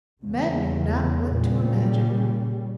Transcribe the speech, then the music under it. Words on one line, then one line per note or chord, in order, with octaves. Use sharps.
Men knew not what to imagine.
E2 C#3
A#2 C#3 G3